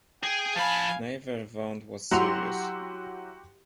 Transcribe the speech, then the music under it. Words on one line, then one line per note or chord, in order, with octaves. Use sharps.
Neither wound was serious.
G#4 G5
F3 F5 G#5 A5 B5
F#3 E4 F#4 G4 C6 F7